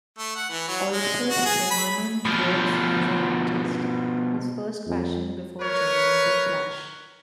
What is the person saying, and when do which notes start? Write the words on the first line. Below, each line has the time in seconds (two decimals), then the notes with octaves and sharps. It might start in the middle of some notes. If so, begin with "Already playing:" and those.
Also, Simonon works as an artist - his first passion before joining the Clash.
0.18 A3
0.36 F#5
0.50 E3
0.67 F#3
0.92 G#3
1.30 F#4
1.45 G#4
1.71 B5
2.25 B2 F3
4.86 F2
5.61 A#4 B4 C#5